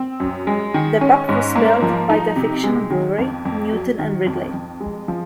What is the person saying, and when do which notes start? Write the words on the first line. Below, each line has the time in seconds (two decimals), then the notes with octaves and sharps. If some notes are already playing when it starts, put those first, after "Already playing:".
The pub was built by the fictional brewery Newton and Ridley.
Already playing: C4
0.20 F#2
0.47 G#3
0.74 D#3
1.01 C#4
1.29 G#2
1.55 A#3
1.82 F3
2.10 D#4
2.36 C3
2.64 G#3
2.90 D#3
3.18 F2
3.45 F2
3.72 F#3
3.99 D#3
4.26 F2
4.54 F2
4.81 G#3
5.08 F3